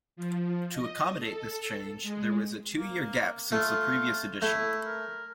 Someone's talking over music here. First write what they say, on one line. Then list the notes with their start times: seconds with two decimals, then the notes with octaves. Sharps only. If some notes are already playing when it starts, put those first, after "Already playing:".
To accommodate this change, there was a two-year gap since the previous edition.
0.16 F3
0.74 D#5
1.19 A4
2.03 G#3
2.78 A#3
3.52 A3 F4
4.42 A3 E4
4.85 A#4